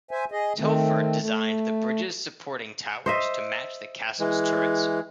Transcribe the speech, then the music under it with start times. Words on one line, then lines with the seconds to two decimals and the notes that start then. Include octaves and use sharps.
Telford designed the bridge's supporting towers to match the castle's turrets.
0.11 C5 E5 G#5
0.32 G#4 D#5
0.58 D#3 A3 C4
1.19 A3
3.06 C5 D#5 E5
4.20 E3 G#3